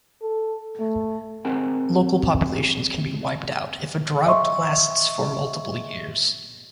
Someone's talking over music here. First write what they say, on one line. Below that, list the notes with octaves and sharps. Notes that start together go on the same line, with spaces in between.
Local populations can be wiped out if a drought lasts for multiple years.
A4
A3
C4 G#4 A#4 F#5 G#5
D#5 E5 C6 C#6